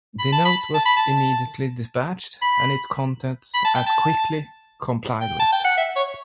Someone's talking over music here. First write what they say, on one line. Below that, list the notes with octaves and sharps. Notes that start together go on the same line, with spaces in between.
The note was immediately dispatched, and its contents as quickly complied with.
B5
A5
B5
A5
B5
A5
B5
B5
A5
G5
A5
G5
A5
G5
F#5
E5
C#5